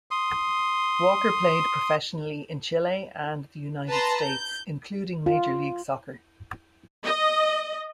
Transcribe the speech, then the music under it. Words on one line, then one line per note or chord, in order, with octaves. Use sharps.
Walker played professionally in Chile and the United States, including Major League Soccer.
C6 D#6
B4 A5 A#5 C6
G6
F4
D#5